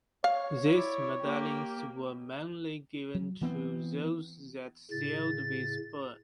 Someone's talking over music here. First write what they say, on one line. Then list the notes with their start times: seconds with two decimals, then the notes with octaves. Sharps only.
These medallions were mainly given to those that sailed with Bern.
0.24 C#5 F5
0.73 E4 D5
1.21 A#3 G4
3.14 F#3
3.41 E3 B3 C4
4.91 A2 C#3 A6